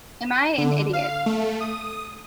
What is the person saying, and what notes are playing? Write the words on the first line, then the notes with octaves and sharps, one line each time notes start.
Am I an idiot?
D3
F5
A3
D#6